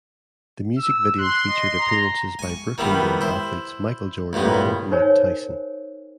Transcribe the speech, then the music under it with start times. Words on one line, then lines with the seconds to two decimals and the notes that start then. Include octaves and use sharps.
The music video featured appearances by Brooklyn-born athletes Michael Jordan and Mike Tyson.
0.78 E6
1.18 C6 F#6
1.48 D#5
1.80 A#5
2.39 G#5 C#6
2.78 D#3 E3 G3 B3
3.21 E4 C5
4.33 A1 G2 A#2 B3
4.91 D#4 A#4 C5 C#5 G#5